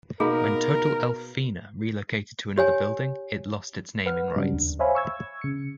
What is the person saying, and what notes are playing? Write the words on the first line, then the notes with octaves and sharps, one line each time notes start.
When Total Elf Fina relocated to another building, it lost its naming rights.
B2 A#3 B3 D#4 G#4 A#4 B5
G4 C#5 G#5
B4 F#5 F6
G2 C#3 F#3 G3 D4
D#2
C5 C#5 E5 F5 G#5 B5
C#6 E6 G#6
C#3 C#7